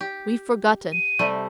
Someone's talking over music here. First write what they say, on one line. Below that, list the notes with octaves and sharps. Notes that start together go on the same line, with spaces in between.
We've forgotten.
G4
D#7
C3 G3 A3